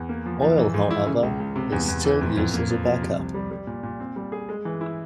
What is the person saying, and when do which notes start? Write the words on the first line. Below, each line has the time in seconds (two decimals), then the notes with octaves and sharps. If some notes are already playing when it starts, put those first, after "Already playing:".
Oil, however, is still used as a back-up.
Already playing: E2
0.09 A#3
0.26 F3
0.42 F3
0.58 E3
0.74 G#2
0.91 E4
1.06 C#3
1.23 C#2
1.40 C#2
1.56 C3
1.72 E2
1.88 E2
2.05 E3
2.21 F2
2.37 F2
2.54 A#3
2.70 F3
2.86 F3
3.02 C3
3.19 C2
3.34 G3
3.51 G3
3.67 A#2
3.83 A#2
4.00 C4
4.16 G3
4.32 G#4
4.49 G#3
4.65 E3
4.81 E4